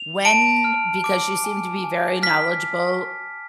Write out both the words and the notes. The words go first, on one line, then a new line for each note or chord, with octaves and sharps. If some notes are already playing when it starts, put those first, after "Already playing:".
When because you seem to be very knowledgeable
Already playing: F7
A5 D7
F6
D6
G#5
G#5
F6 B6